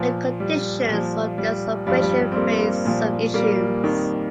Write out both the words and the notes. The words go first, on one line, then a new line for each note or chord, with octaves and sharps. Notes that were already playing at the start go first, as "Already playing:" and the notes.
The conditions of this operation raise some issues.
Already playing: A#2 F3
G3
A#2 F3
G3
G2 F3 G3
G3
G3
C4
G3 A#3
A#2 F3
G3 A#3
F2 D#3